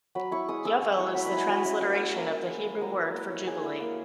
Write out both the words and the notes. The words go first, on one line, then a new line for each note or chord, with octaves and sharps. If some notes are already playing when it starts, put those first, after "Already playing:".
Yovel is the transliteration of the Hebrew word for Jubilee.
F#3 B5
E4 C#6
G#3 D#6
G#3 E6
G#3 D#6
E4 C#6
F#3 B5
B5
E4
G#5
F#3 F#5
C#4 E5
A#3 F#5
E4 G#5
A#3 A#5
A#3
G#3
G#3
F#3 A#5
E4
A#3 D#5
E4 C#5
G#3 G#4
E4
A#3